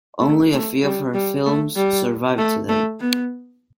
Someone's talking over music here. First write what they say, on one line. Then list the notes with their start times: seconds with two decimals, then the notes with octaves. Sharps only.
Only a few of her films survive today.
0.20 A3
0.52 A3
0.83 G3
1.14 G3
1.46 A3
1.76 G3
2.39 A3
2.69 A3
3.00 B3